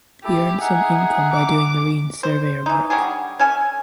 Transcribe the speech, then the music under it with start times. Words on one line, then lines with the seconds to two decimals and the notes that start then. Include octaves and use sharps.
He earned some income by doing marine surveyor work.
0.24 E4 G4 A4
0.61 D#4 G#4 E5 F#5
1.33 D6
2.23 C5
2.66 E3 D#4
2.90 D3 F#3 G3 G#4
3.39 C#4 A4 G#5